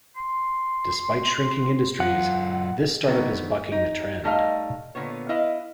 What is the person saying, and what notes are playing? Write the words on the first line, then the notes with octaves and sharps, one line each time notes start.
Despite shrinking industries, this startup is bucking the trend.
C6
F#2 F4 F#5
D3 D#3 F#3 G#3 B3 C4
D#4
G3 A3 D#4 D#5 F5
A#2 D3 B3 C#5
E4 B4 D#5 F5